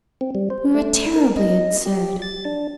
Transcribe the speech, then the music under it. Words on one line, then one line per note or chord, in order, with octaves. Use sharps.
We were terribly absurd.
C4
G3
C5
A3
A#4
D#5
G4
A6
D4